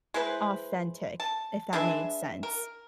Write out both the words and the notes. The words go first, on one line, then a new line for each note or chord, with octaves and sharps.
authentic if that made sense.
G#3 E4 B4 C5
A5
G#3 D4 B4 E5
A#4